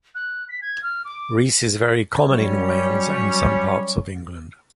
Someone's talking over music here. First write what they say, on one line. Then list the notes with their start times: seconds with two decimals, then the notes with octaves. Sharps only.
Rhys is very common in Wales, and some parts of England.
0.15 F#6
0.49 B6
0.62 G#6
0.83 F6
1.05 D6
2.29 F#3 G3 C#4 C#5